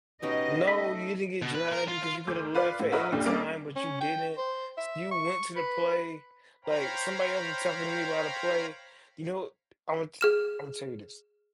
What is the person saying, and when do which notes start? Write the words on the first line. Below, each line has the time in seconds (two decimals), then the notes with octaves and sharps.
No, you didn't get dragged because you could've left at any time, but you didn't, s you went to the play, like, somebody else was talking to me about a play, you know, I want Imma tell you this,
0.22 B2 C#4 D#4 G4 D#5
0.68 A3 B5 B6
1.42 B2
1.55 B4
1.72 A#4
1.88 F4
2.04 F4
2.27 D2 D6 G6
2.54 F4 B4 D5 F5
2.79 A2
2.92 E4 F#4 A#4 B4 C#5 D#5
3.12 F1 B1 A#2 A3 D4 G4
3.25 G3 A#3 C4 C#4 A4 D5
3.76 C#4
4.00 G5
4.37 C5
4.77 E5
5.11 C#6
5.56 B4
6.64 C5 C#5 F5 G5 A#5 B5
10.21 G#4 F6 E7